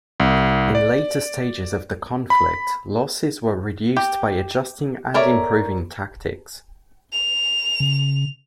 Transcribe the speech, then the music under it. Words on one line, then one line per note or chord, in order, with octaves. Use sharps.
In later stages of the conflict, losses were reduced by adjusting and improving tactics.
C2
D5
B5
G4
A4 A#4 C#5 D5 E5
F7
C#3